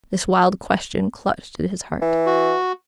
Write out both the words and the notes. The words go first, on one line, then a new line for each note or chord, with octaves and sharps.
This wild question clutched at his heart.
E3
F#4